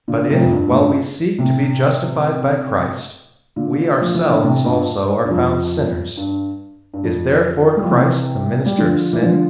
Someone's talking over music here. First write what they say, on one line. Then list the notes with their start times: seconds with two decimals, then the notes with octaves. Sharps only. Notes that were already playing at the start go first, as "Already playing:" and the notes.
But if, while we seek to be justified by Christ, we ourselves also are found sinners, is therefore Christ the minister of sin?
0.08 A#2 D3
0.30 A2 C3
0.41 F2
0.51 G2
0.68 A2
0.73 G2 A#2
1.39 A2 C3
3.56 A#2 D3
4.01 F3
4.15 E3
4.29 D3
4.42 A2 C3
4.65 G2 A#2
5.25 G2
5.31 F2
6.17 G2
6.93 G2
7.04 F2
7.77 G3
7.84 F3
7.91 C3 E3
8.66 G3
8.78 D3 F3
9.13 E3
9.21 D3 F3